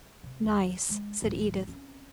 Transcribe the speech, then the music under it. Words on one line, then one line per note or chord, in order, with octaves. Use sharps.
"Nice!" said Edith.
C3
D#2
G#3
D1 E2
C4 C#4